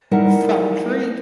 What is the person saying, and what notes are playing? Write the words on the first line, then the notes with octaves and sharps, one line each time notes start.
A fun treat.
G3 D#4 E4 A#4 F#5 A5